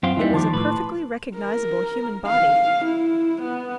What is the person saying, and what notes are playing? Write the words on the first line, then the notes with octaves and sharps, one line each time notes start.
It was a perfectly recognisable human body.
F#2 C4 F4
E2 E3 G3 A#3 D#4 E4
D#3 F3 A5 C6 D6
A2 B4
A#4
F5
E4
B3